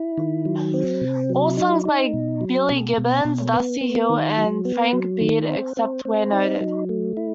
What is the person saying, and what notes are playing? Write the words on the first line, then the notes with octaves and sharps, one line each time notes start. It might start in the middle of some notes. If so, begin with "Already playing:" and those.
All songs by Billy Gibbons, Dusty Hill and Frank Beard except where noted.
Already playing: E4
D#3
F#3
C4
C3
F#3
D#4
D#4
B2
F#3
B2
B2
B2
B3
B3
D#3
F#3
B3
F#3
D#3
C4
C4
C4
D#4
F#3
A3
E4